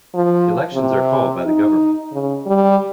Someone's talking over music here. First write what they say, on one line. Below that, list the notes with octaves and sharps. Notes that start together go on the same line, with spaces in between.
Elections are called by the government.
F3
C3
D#4
C#3
G3